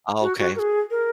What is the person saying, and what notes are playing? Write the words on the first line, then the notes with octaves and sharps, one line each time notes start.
Oh, okay.
F#4
F#4
A#4
G#4
A#4